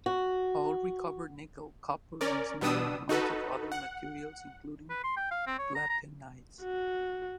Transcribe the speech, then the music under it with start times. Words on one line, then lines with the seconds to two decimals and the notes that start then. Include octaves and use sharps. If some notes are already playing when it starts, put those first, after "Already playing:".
All recovered nickel, copper, and smaller amounts of other materials including platinides.
0.06 F#4
2.21 C#4 A#4 D5
2.61 B2 G3 B3 D4 D#6 E6
3.09 D#4 F#4 A4 B4
3.72 F#5
4.90 B4
5.04 C6
5.17 G5
5.31 F5
5.47 C4
5.59 C#5
5.75 A#5
5.89 A#5
6.63 F#4